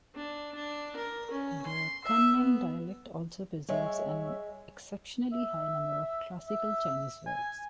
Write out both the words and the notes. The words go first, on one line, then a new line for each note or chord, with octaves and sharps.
The Kunming dialect also preserves an exceptionally high number of classical Chinese words.
D4
D4
A#4
C#4
C6
E5
B3
G3 G#3 C#5 E5
E5
E5
G#5